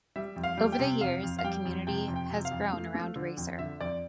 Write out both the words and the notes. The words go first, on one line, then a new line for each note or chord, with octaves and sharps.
Over the years, a community has grown around Racer.
G3 E5
F2
F5
G3
G5
C3
F2 F5
F2
F5
G3 G5
F2
C3 G5
F2
G5
C3
F5
F2
A3
A3
D3
F2
D3 E5
F2 D5